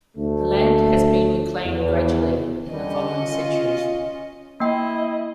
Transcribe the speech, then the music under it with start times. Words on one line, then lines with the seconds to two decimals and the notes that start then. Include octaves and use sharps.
The land has been reclaimed gradually in the following centuries.
0.17 D2 A3
1.65 E2
2.70 D3 G3 C#4 D#5
3.23 F4
4.60 A#3 E4 D#5 G5